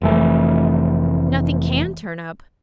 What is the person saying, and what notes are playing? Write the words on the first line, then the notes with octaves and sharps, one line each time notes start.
Nothing can turn up.
F1 E3 A3